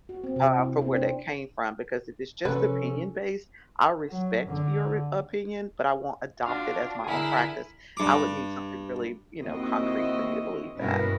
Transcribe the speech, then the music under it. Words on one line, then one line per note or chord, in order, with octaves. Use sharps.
uh, for where that came from. Because if it's just opinion based, I respect your opinion, but I won't adopt it as my own practice. I would need something really, you know, concrete for me to believe that.
F#4
C4
C3
E4
C4
D4
C3 F3 C#4 A4 B4
F#3
D3
D4 F4 F#4 F5
D3 E4 G#4 A#4
G2 D6
D#2 C4 E4 F#4 D#5
G2 B2 C#4 E4 A#4 B4